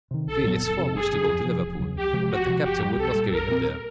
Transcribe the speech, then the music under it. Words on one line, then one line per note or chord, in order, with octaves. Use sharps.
Phileas Fogg wished to go to Liverpool, but the captain would not carry him there.
C3 D#3
B1 A4
A#2 F#3 B3
F#1 A4
F2 C3
G1 G#4
F#2 C#3
F2
C3 F3
E1
E2 C#3 F#3
C#2 G4
C3 F3 G#3
C2 F#4
C3 F3
F#1 G4
F2 D3 G3
C2 A4
A#2 G3
A#1 A#4
A#2 G3 C4